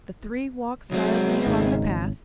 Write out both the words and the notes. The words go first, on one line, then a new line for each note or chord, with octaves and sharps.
The three walked silently along the path.
C2 F#3 G#3 C4
G#1 C#3 D#4